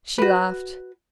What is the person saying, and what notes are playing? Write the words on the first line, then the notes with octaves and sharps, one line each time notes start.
She laughed.
F#4 B4